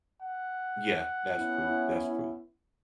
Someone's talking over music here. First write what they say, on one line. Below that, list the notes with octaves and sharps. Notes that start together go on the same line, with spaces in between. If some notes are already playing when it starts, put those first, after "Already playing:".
Yeah. That's true, that's true,
F#5
B3 C#4 E4